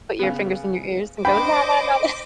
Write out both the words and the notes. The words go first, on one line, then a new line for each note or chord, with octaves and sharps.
put your fingers in your ears, and go, la, la, la, la
C#3 B3
D4 C5 D#5 G5 B5 D6